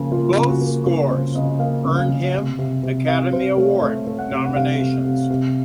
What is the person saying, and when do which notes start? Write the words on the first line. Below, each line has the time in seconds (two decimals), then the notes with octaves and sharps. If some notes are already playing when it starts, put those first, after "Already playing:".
Both scores earned him Academy Award nominations.
Already playing: C#3 F3 A#3
0.12 A#3 F4
0.37 C#3
0.49 F#4
0.61 A#3
0.86 C#3 A#4
1.10 C#3 C5
1.35 C#3 D#5
1.59 A#3 F5
1.85 C#3
1.97 F5
2.09 C#3
2.34 C3
2.59 C3
2.83 C3
3.08 C3 F5
3.33 C3 C5
3.57 A3 C#5
3.82 A3
4.07 A3
4.19 F#5
4.32 C3
4.46 F#5
4.56 C3 F5
4.81 C3
5.05 C3
5.30 C3